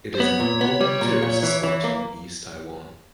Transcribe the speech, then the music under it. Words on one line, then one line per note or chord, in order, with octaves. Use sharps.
It is an important tourist spot in East Taiwan.
C5
B3 C#5
A#2
B3
G3
A#2
A#2
E3
E3
A#3